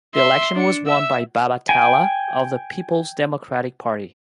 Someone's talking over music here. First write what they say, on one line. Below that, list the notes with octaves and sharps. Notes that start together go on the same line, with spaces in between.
The election was won by Baba Tela of the Peoples Democratic Party.
E5 C6
D4 C#7
E5 E6
G5 G#5